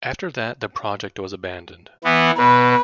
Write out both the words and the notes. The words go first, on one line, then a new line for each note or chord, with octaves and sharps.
After that the project was abandoned.
E3 B3
B2 B4